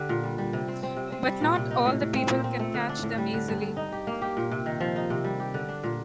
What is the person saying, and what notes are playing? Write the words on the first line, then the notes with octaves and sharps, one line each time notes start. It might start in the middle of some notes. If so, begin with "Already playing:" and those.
But, not all the people can catch them easily.
Already playing: D3 G4
A#2
G3
G3
C3
C4
C4
C3
C4
G3
A#2
C3
D#4
A2
A2
C4
A#2
C4
A3
D3
D4
A2
G3
D3
G2
G2
D#4
G4
A#3
G4
A#2
C3
D#3
F3
D#4
C3
G3
G4
D3
D4
A#2